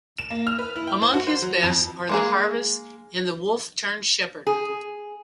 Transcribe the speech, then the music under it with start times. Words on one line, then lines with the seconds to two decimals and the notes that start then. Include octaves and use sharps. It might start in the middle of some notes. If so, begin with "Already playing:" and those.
Among his best are "The Harvest" and "The Wolf turned Shepherd".
0.18 E7
0.30 A#3
0.47 F6
0.59 B4
0.76 E4
0.87 G5
1.02 C5
1.14 F#4
1.27 C5
1.42 F#3
1.63 F2
2.09 G#3 A#3 G#4
4.47 G#4